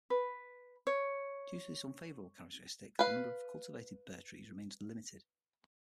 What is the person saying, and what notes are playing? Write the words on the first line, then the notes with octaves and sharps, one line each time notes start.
Due to this unfavourable characteristic the number of cultivated Bur trees remains limited.
B4
C#5
B4 F5